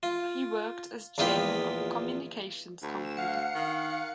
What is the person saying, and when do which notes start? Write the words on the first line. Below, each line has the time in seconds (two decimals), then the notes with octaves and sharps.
He worked as chairman of a communications company.
0.03 F4
1.18 A#1 E2 B3 F4 G5 B5
2.83 D2
3.05 E7
3.17 F5 F#5 C#7
3.54 D#3